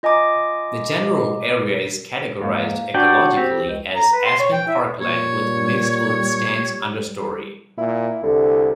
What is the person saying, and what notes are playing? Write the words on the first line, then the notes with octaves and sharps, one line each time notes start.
The general area is categorized ecologically as aspen parkland with mixedwood stands understory.
F4 D#5 G#5 A#5 D6
G#2 A#3
D4 F#4 D5 G5
C4 G4
C#2
A#5
B4
C6
C#5
G5
E4
A#2 G3 C#5
A#2 E4
C2 D3